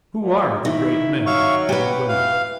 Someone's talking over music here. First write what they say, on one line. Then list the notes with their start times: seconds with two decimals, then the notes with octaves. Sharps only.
Who are the great men and women?
0.22 A#2
0.65 D#3 E4
1.26 F#3 E5 F5 C#6
1.69 G4 B4 F#5
2.09 E3 F5